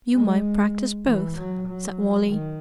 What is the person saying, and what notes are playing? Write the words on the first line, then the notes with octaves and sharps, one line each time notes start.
"You might practise both," said Wally.
G#3
E3
F#3
F#3
D#3